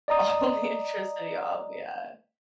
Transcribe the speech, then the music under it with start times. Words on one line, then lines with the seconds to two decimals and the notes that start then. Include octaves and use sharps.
all the electricity off, yeah.
0.08 D5 D#5 A#5 D#6